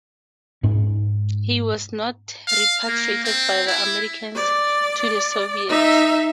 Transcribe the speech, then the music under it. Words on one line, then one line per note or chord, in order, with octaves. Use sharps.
He was not repatriated by the Americans to the Soviets.
G#2 C#4
F5
A#3
C4
E4
D5
D#4 E5